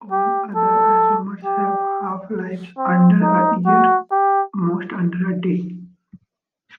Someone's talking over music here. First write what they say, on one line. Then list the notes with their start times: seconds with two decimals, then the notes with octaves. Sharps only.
All other isomers have half-lives under a year, most under a day.
0.12 G4
0.56 A4
1.45 G4
2.78 C4
3.22 D#4
3.66 F#4
4.11 G4